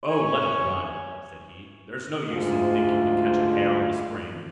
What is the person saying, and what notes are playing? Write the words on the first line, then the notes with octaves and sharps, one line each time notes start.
'Oh, let it run', said he; 'there's no use in thinking to catch a hare on the spring.'
C#5 G#5
D2 G#2 F4